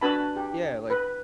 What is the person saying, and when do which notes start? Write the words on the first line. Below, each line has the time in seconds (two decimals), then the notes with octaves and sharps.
Yeah, like
0.01 D4 F#4 B4 G#5 A5 B5
0.36 G4
0.90 B4